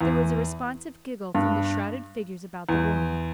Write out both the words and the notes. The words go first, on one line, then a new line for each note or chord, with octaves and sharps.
There was a responsive giggle from the shrouded figures about the room.
E2
G2
E2